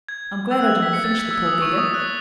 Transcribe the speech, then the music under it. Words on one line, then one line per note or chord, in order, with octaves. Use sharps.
I'm glad I didn't finish the poor beggar.
G#6
E6
F#6
G#6
B6
C#7
A6
G#6
E6
D#6
C#6
D#6
F#6